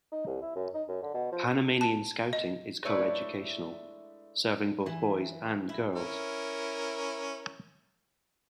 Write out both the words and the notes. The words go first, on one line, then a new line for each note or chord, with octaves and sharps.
Panamanian Scouting is coeducational, serving both boys and girls.
D#4
C2
E4
F#2
D#4
F#2
D3
B2
F3
A5
D#5
G#3 A3 D4 E4 B4 C#5
E3
E4
C#4 E4 A#4